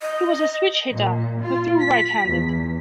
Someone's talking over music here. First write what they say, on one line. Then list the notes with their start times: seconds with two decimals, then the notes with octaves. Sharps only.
He was a switch-hitter who threw right-handed.
0.02 D#5
0.91 A#2
1.42 F4
1.80 B6
2.29 E2